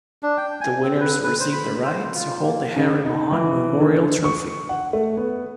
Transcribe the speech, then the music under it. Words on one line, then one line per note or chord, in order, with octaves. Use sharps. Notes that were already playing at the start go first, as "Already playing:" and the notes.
The winners receive the right to hold the Harry Mahon memorial trophy.
D4
G5
G#5
C4
B4
B4
C5
B5
C5
F4
A#3
C#3
D#4
E3
D3
C#6
F#5
A3
B3